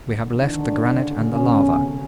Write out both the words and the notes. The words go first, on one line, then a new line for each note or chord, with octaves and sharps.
We have left the granite and the lava.
D3
E3 D4
D#3
D3
C#3
D3
C#3
D3
C#3
B2 C#4
B2
C3
C3
D3
C#3